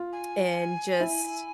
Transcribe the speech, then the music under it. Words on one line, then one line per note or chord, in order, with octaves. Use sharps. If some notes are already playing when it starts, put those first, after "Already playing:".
and just
Already playing: F4
G#5
E4